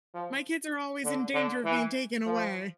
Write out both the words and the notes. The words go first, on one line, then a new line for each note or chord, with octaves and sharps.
My kids are always in danger of being taken away
F3
D3
D3
E3
F3